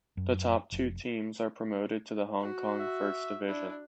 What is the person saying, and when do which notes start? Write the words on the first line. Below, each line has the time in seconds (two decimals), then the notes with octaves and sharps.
The top two teams are promoted to the Hong Kong First Division.
0.17 F#2
0.72 F1
2.40 F#4
2.80 E5
3.48 D4 E4